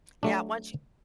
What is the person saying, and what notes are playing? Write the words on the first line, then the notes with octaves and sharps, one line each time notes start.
yeah, once you
F#3 A3 D4